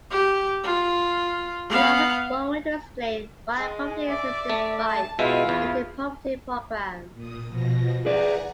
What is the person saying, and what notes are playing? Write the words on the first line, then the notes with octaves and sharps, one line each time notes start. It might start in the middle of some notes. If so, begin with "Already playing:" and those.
It offers one way to explain why poverty exists despite anti-poverty programs.
G4
F4
B3 F5
G#3
D5 E5
A3
A5
B2 G#3 E4 F4 E5
E2
A#2 D#6
B2 F3 A#6
G#4 B4 D5 F#5 G#5 A#5